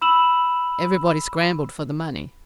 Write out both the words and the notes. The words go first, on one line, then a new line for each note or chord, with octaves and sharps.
Everybody scrambled for the money.
B5 E6 E7 F#7